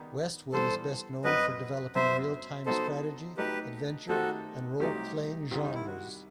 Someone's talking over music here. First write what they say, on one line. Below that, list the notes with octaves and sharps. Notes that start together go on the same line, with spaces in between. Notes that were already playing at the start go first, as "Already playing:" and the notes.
Westwood is best known for developing real-time strategy, adventure and role-playing genres.
Already playing: D#3 G3 B3 D#4 G4
G2 E3 G3 B3 A4 C5
F#2 F#3 C4 F#4 B4 C5 D#5
F#2 F#3 B3 C5 E5
F#3 B3 D#4 A4 C5
F#3 A3 D#4 G4 A4 B4
D#3 A3 D#4 F#4 G4 A4 C5
C2 C3 F#3 A3 D#4 G4
C2 C3 D#3
D#4
E4
F#4